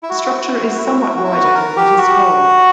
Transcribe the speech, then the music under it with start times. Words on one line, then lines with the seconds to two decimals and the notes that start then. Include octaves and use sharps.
The structure is somewhat wider than it is tall.
0.03 E4
0.09 F#4
0.17 E4
0.25 F#4
0.33 E4
0.40 F#4
0.47 E4
0.54 F#4
0.63 E4
0.70 F#4
0.77 E4
0.86 F#4
0.92 E4
1.00 F#4
1.07 E4
1.15 F#4
1.23 E4
1.32 F#4
1.44 B4
1.55 A#4
1.77 G4
1.98 F#4